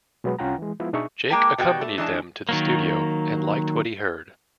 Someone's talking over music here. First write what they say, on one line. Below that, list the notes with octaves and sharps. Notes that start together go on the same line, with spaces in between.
Jake accompanied them to the studio and liked what he heard.
B2 F#3 G#3 B3
C2 C#4 F4 F#5 G5 A#5
E3 G#3
F3 G#3 B3 E4 F4
B2 D4 D#4 G#4 E5 C#6
G#3 A#3 G5 A5
B2 G3 F#4 G5
A3
E3 G#3 D4 A5
D#3 F#3 A#3